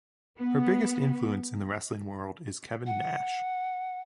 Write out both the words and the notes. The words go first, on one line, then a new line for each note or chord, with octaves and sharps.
Her biggest influence in the wrestling world is Kevin Nash.
B3
F#5